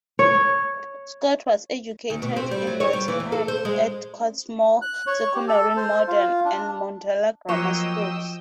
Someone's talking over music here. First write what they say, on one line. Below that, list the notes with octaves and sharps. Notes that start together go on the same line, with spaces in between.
Scott was educated in Nottingham at Cottesmore Secondary Modern and Mundella Grammar schools.
C#5
D2
B2
C4
G3
F#3
C#5
G3
E3
E2
A4
C5
G#3
F#6
C#5
G4
A4
C5
F4
D4
F3 F#3 A#3 C#5 D#5 G5 E6